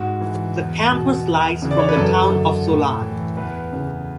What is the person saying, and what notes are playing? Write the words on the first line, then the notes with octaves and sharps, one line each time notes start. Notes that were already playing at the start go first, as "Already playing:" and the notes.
The campus lies from the town of Solan.
Already playing: G#2 F#4
E3
E2
B2
E2
C#3 E3
D5
C#5
B4
F#2 A4
D3
A2
E3
E2 B4
C#3 E3